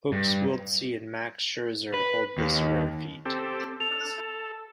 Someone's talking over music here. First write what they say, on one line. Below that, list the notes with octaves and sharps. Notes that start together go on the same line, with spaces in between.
Hooks Wiltse and Max Scherzer hold this rare feat.
G2
B4
D#2
C4 G4 A4
A4 F7